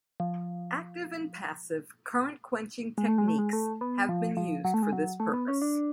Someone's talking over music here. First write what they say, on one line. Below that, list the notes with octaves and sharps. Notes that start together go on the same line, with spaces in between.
Active and passive current-quenching techniques have been used for this purpose.
F3
G#3
A3
G#3
A3
G#3
A3
B3
F3
F3
F#3
A3
G#3
F#3
A3
B3
C#4
D4